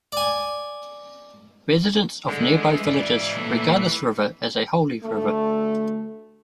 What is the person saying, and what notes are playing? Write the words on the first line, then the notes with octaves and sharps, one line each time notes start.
Residents of nearby villages regard this river as a holy river.
D5 G#5
D3 G#3
E3
G#2 D5
A#2 A3
D2 A3